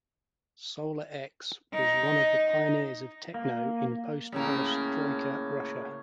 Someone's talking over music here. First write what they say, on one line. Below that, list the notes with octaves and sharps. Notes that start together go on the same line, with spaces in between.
SolarX was one of the pioneers of techno in post-Perestroika Russia.
D#4
A#3
A2 C#3 A#3